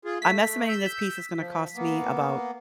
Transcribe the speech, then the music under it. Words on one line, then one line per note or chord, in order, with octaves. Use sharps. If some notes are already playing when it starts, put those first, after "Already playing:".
I'm estimating this piece is gonna cost me about"
F4 G#4
A3 B6
E6 G6
F3
A#3 B3